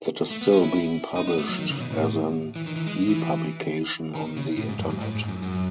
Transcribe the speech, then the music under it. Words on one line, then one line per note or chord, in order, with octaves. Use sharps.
It is still being published as an ePublication on the Internet.
A3
B3
C#4
E4
D#4
B3
A3
F#3
D#3
C#3
B2
A2
E3
D#3
E3
G#3
E3
D#3
C#3
A2
G#2
F#2
G#2
A2
G#2
F#2
F#2